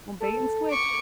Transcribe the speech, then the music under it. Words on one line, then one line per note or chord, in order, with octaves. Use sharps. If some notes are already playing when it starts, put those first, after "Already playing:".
old bait and switch.
A4
C#6 D6